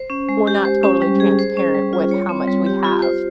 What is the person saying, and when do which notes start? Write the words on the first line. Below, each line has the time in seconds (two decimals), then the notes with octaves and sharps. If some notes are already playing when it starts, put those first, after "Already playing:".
we're not totally transparent with how much we have.
Already playing: C5
0.10 C#4
0.29 G#3
0.47 G4
0.65 C5
0.83 C#4
1.02 G3
1.20 G#4
1.39 C5
1.57 C#4
1.75 G3
1.93 F4
2.11 C#5
2.29 C4
2.48 G3
2.66 G4
2.84 F4
3.02 C5